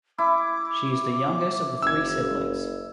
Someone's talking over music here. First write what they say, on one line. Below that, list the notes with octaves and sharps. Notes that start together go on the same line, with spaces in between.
She is the youngest of the three siblings.
E4 D6
F#1 E6 G#6